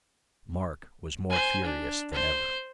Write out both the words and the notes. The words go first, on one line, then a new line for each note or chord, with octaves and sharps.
Mark was more furious than ever.
C5 G#5
D4
C5